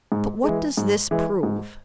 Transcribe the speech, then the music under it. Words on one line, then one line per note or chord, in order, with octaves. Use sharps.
But what does this prove?
G#2
E3 G#3
G#2
E3 G#3
G#2